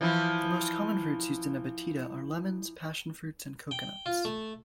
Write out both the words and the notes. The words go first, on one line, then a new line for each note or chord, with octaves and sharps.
The most common fruits used in a batida are lemons, passion fruits and coconuts.
E3 F3 E4
G5
F4
A3